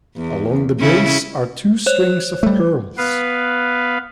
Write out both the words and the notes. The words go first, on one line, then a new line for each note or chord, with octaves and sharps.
Along the base are two strings of pearls.
E2
C#3 C#4 E4
C5 C#5 F#6
G3 A3
B3 B4 F5